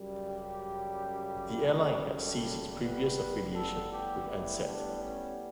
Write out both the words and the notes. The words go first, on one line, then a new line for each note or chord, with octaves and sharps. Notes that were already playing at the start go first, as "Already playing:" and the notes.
The airline had ceased its previous affiliation with Ansett.
Already playing: F#2 C#3 G3
G4
A4
A2 G3 B3 B4
A4
G4
E4
D4
C#4